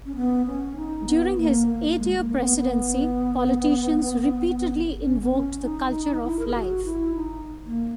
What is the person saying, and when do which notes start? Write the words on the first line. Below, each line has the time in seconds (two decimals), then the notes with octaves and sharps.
During his eight-year Presidency, politicians repeatedly invoked the culture of life.
0.05 C#4
0.15 B3
0.46 C#4
0.76 D#4
1.06 B3
1.37 A#3
1.67 A#3
1.98 G#3
2.18 A#3
2.29 A#3
2.38 B3
2.58 B3
5.02 C#4
5.21 B3
5.32 C#4
5.63 D#4
6.24 E4
6.39 A#4
6.47 G#4
6.54 F#4
6.85 E4
7.15 D#4
7.66 A#3